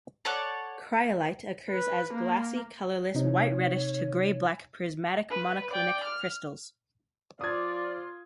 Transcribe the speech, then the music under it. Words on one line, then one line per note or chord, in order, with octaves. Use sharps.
Cryolite occurs as glassy, colorless, white-reddish to gray-black prismatic monoclinic crystals.
A4 C#5 D5 F#5
B4
A#3
C3 D#4 C#5
B4
D5 G5
F6
F3 F4 D5 D#6 G#6